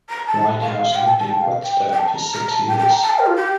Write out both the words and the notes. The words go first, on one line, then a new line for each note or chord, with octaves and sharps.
Winehouse lived in Whetstone for six years.
A#5
A5
F5
F5
G5
A5
A5
G5
F5
G5
G5
A5
A#5
A#5
A5
G5
G5
A#5
A5
G5
A#4
F4
G4